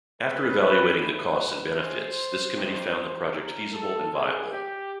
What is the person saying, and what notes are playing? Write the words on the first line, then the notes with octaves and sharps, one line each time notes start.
After evaluating the costs and benefits, this committee found the project feasible and viable.
E2 B2 G#3 B4
B4
G#2 D#3 F#3 A3 B4
A2 F3 G#3 C5
G2 D#3 G3
F#2 C#3 F3 A#4
A4
F#2 D3 G3 G#4
G4